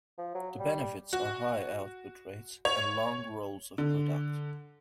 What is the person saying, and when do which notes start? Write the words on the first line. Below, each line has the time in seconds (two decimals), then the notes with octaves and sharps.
The benefits are high output rates and long rolls of product.
0.18 F3
0.35 F#3
0.60 G3
1.13 F#4
2.65 C#5
3.78 D3